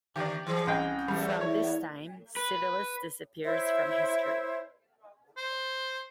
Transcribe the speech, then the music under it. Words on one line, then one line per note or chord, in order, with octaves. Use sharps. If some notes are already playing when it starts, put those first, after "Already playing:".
From this time, Civilis disappears from history.
D3 G4 D5
E3 G#4 C5
C2 C#4 D#5 G5
E2 G3 A3
E4 C#5
B4
E4 C5 C#5 E5
C5